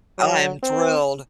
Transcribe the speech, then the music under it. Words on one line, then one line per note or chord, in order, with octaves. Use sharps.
I am thrilled.
F#3
C4